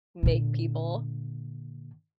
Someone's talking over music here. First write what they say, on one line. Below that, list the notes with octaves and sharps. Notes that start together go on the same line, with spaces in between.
make people
A#2 D3